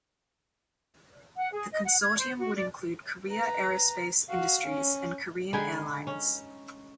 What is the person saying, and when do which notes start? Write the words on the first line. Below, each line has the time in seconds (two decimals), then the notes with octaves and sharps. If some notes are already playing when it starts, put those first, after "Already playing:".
The consortium would include Korea Aerospace Industries and Korean Air Lines.
1.37 F#5
1.54 G#4
1.72 D#5
1.84 F#5
2.01 G#6
2.18 C5
2.39 F#4
2.56 D5
3.30 B4 A#5
4.29 F#4 F5
4.68 C#4
5.53 D3 G#3 D#4 G5 G#5 B5
6.07 C#4